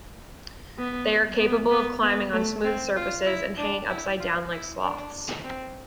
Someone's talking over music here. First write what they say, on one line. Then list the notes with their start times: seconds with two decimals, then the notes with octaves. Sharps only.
They are capable of climbing on smooth surfaces and hanging upside down like sloths.
0.78 B3
1.40 B3
1.71 B3
2.03 B3
2.33 A3
2.64 C4
2.96 F4
3.27 E4
3.58 D4
3.90 E4
4.20 F4
4.52 E4
4.83 D4
5.45 C4